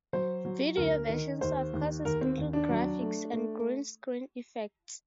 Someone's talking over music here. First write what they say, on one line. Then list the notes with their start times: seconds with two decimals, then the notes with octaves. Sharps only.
Video versions of courses include graphics and green screen effects.
0.13 F#3 C5
0.45 F#3
0.77 D2 A#4
1.09 D#3
1.41 D#2 C5
1.73 D#2
2.05 D#2 A#4
2.21 C4
2.37 D#2
2.53 D4
2.69 F#3
3.01 A3
3.33 A3